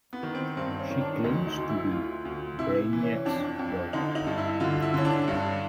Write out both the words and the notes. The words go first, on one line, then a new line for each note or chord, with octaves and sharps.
She claims to be Brainiac's daughter.
B3
D#3
C4
G2 C4
C#4
D#3
D4
D2 D#4
D#4
D2
E4
D2 F4
D2
C3 E4
E3
C#4
F2 D4
F2
D3 D#4
D#4
G2
E4
D3 F4
E4
D3 C#4
D4
G2